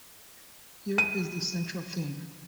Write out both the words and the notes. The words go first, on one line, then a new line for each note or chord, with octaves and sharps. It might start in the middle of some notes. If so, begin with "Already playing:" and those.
Europe is the central theme.
D#7